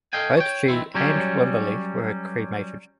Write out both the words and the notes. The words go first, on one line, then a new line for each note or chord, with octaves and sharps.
Both she and Wymberly were cremated.
A4 D#5 F5 G5 G#5
C#5 G5
D#3 E3 G#3 C4 E4
F#3 G3 C#4